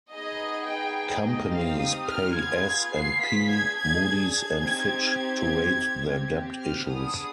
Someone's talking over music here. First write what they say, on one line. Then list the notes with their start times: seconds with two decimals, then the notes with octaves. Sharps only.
Companies pay S and P, Moody's and Fitch to rate their debt issues.
0.11 B3 D#4 G#4 D#5
0.68 G5
1.24 C4 D#4 G4 D#5
1.53 F5
1.81 D#6
2.08 F6
2.37 B3 F4 G#4 G#6
2.93 C7
3.21 B6
3.49 D4 G#4 G#6
3.78 G#6
4.05 G#6
4.62 C4 D#4 G4 G#6
4.90 G#6
5.74 C4 G4
6.59 F6
6.87 B3 D4 G#4 D#6